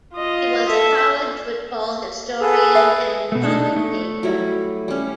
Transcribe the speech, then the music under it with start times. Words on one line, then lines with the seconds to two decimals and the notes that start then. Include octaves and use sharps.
He was a college football historian and commentator.
0.14 F4 D#5
0.69 A4 E5
2.40 G#4 A4 B4
2.75 E5
3.32 B2 A3
3.43 D4 D#4 A4
3.76 A3
4.23 F#3 G3 E4
4.88 G3 C#4